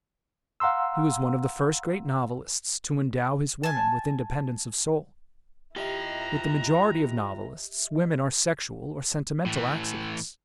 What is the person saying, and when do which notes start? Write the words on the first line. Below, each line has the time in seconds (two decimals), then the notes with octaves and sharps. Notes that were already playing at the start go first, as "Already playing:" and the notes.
He was one of the first great novelists to endow his women with independence of soul. With the majority of novelists, women are sexual or sentimental accidents.
0.60 F5 F#5 A#5 C6 E6
3.63 G#5 A5
5.76 E4 F4 G4 D#5 E5 G5 A#5
9.46 A2 E3